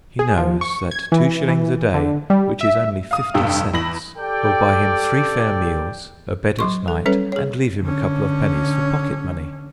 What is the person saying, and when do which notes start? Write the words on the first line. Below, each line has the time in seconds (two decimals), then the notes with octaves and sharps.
He knows that two shillings a day, which is only fifty cents, will buy him three fair meals, a bed at night, and leave him a couple of pennies for pocket money.
0.19 G#4
0.38 F3
0.61 C#6
0.91 G#6
1.12 E3
1.48 E3
1.94 D3
2.30 G3
2.61 E5
3.11 F5 D#6
3.34 F1 G2 G4 F5 E6
3.74 E2 B5 A#6 F#7
4.18 G4 A4 D5 G5
6.59 F#3 C6 C#6
6.88 A4
7.06 G3 C#4 A4 B4 C#5
7.32 G#4 C#5
7.82 D3 C#4